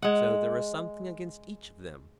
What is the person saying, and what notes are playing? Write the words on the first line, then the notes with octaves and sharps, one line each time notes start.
So there was something against each of them.
G#3 F#5